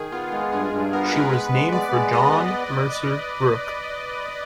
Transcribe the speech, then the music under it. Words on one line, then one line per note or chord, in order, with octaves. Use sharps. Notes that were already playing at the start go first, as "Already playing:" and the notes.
She was named for John Mercer Brooke.
Already playing: D#3 G#4
B3 F4
G#3 F4
G2 G#4
G2
B3 A#4
B4
G#3 A#4
B3 B4
G#3
B3 D5
G#3
B3 D#5